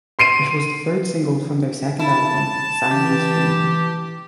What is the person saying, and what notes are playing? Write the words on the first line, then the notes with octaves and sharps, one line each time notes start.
It was the third single from their second album, "Siamese Dream".
C6 C7 D7 D#7
E4 A5
E3 G4